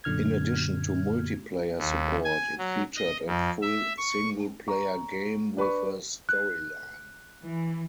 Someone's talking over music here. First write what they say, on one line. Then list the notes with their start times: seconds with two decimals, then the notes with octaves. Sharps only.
In addition to multiplayer support, it featured a full single-player game with a storyline.
0.04 F#2 A#2 D3 F6 G#6
1.78 D#2
2.24 G#5
2.58 F#3
2.97 D#5
3.27 F2
3.62 E5
3.98 C#6
4.68 A#5 C#6
5.57 D4 B4 B5 C#6
6.29 F#6
7.41 E3